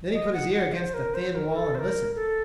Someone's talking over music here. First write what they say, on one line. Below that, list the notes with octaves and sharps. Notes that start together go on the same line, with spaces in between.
Then he put his ear against the thin wall and listened.
D#5
F#5
F#5
C5
A#4
C5
A#4
A4
C5
A#4
A4